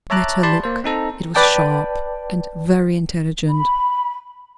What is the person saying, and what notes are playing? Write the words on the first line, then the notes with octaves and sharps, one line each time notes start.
I met her look; it was sharp and very intelligent.
C#5 E5 A5 A#5 D6 F#6
G4 D5 G5 A5 B5 C6
A#3 C5
C4 D#4 A4 A#5
B4 D5 G5 A5
B5